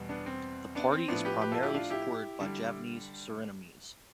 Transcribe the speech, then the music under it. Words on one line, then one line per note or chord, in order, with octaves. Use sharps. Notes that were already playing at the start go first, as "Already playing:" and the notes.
The party is primarily supported by Javanese Surinamese.
Already playing: E2 B2 G3
B3 D4
C4
B3 D4
C4
A2 F3 B3 D4
G4 B4
G4 B4
F4 A4
E4 G4
D4 F4
E4 G4
D3 G3